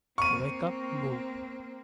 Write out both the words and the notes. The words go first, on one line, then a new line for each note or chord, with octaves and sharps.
Wake Up Boo!
A#3 C4 C#6 D#7